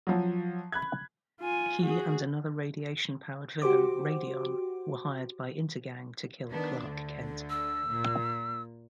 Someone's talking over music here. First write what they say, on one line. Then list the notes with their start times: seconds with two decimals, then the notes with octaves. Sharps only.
He and another radiation-powered villain, Radion, were hired by Intergang to kill Clark Kent.
0.07 F3 F#3
0.72 B5 F#6 G#6
1.40 F4 G#5
1.81 F#4 G#4
3.62 F#4 G4 C5 D6
6.47 D#3 B3 D4
6.82 D2 D3
7.50 E6
7.86 A#2